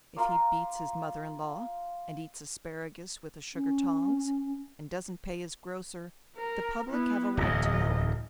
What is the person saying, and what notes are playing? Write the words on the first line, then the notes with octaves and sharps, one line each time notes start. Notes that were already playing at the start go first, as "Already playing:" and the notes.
If he beats his mother-in-law, and eats asparagus with the sugar-tongs, and doesn't pay his grocer, the public have a right to know it.
F4 A#5 C6 D6
C#4
A#4
B3 E4
D1 E2 D#5